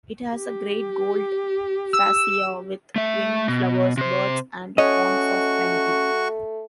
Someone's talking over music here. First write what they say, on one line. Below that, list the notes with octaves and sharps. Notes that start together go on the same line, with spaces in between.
It has a great gold fascia with twining flowers, birds, and horns of plenty.
G4
E6
A3 E5
B2
C3 C5
A3 C#4 F#4 D#5 C#6